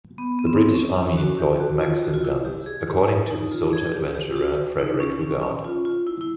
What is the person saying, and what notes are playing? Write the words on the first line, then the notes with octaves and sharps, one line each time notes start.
The British army employed Maxim guns, according to the soldier-adventurer Frederick Lugard.
B3
B3
C4
C#4
C#4
F#4
G4
F#4
F4
F#4
F4
E4
G4
G#4
G4
D#4
F4
G#4
G4
G4
G4
F#4
D#4
C#4
C#4
C#4
F4
F4
E4
E4